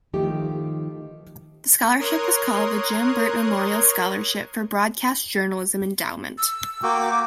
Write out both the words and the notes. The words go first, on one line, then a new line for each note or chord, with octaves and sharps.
The scholarship was called the Jim Burt Memorial Scholarship for Broadcast Journalism Endowment.
D#3 F3 A3 G4
A#4 C#5 C6 D#6 F#6 G#6
E6
A#3 F#4 G5 D6